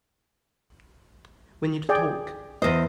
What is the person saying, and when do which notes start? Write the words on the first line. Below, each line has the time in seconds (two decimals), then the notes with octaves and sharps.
We need to talk.
1.89 G#4 D5 G5
2.62 E2 C5 D#5